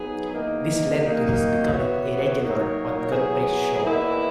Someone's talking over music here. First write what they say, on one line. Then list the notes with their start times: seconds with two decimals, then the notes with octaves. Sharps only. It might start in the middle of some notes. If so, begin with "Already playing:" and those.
This led to his becoming a regular on Godfrey's show.
Already playing: F#3 B3 D#4 G#4
0.34 E2 D#3 A#3 D#4
1.03 D#3 F#3 A#3 D#4
1.72 E3 B3 F#4 C#5
2.42 F#3 A#3 D#4 A#4 C#5
3.12 F#3 B3 E4 G#4
3.83 E2 D#3 A#3 E4 B4